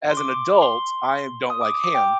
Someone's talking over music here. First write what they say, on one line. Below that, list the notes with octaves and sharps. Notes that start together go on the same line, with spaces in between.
as an adult, I don't like ham,
C6
D6
C6
D#6
D6
D6
G5